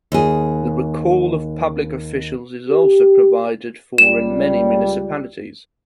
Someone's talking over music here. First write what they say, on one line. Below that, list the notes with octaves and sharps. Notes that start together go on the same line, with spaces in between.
The recall of public officials is also provided for in many municipalities.
D#2 G#4
G4
C#2 G3 E7